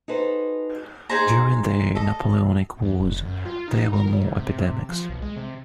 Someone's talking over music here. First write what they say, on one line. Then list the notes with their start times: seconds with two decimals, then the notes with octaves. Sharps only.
During the Napoleonic wars there were more epidemics.
0.08 D#4 F#4 G#4 A4 B4 C5
1.09 D#4 G#4 C5 A#5
1.95 A4 D#5
2.82 E2
2.99 F1
3.25 F#2
3.45 F4
3.68 D#4
3.93 A#4
4.07 G#2
4.36 C3
4.89 F3
5.09 B1
5.22 G#3
5.36 C3